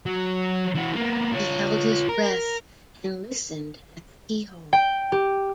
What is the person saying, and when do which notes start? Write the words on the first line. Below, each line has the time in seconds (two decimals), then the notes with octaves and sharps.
He held his breath, and listened at the key-hole.
0.06 F#3
0.75 E3 F#4
0.96 A#3 B3
1.33 F4 C#5
2.09 A#4
4.73 G5
5.12 G4